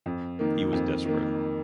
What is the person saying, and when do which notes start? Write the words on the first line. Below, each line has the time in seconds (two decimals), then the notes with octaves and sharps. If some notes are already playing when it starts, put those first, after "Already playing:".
He was desperate.
0.06 F2
0.39 D#3 A#3
0.73 F2
1.05 D#3 A#3